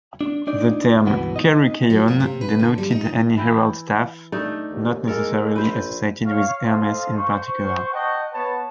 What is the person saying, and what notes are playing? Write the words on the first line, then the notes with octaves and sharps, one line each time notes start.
The term "kerukeion" denoted any herald's staff, not necessarily associated with Hermes in particular.
D4
D4 D#4 D5
C#2 G2 B2 E3 B3
D#4 D#5
F#3
A#3
C3
B4
D3
G3
D#4
E3 E4 G5
A3 D4 D#4
D#2
G#3 A#3 A4 A#4
A#1 B4 C5
C#5 F5
A4 C5 D#5 F5
C5 C#6
D#5 F#5 G5 A5 C#6
B3 B4 C#5 A5